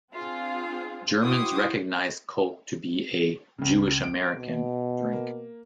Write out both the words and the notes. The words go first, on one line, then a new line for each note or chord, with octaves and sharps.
Germans recognized Coke to be a "Jewish-American" drink.
C4 D4 F4 G#4
E4 F#4 C5 G5 D6 D#6
C#2 C#3
D7
B2
A#3